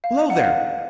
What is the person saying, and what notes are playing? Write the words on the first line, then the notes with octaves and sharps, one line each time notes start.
Below there!
F5
F#5
F5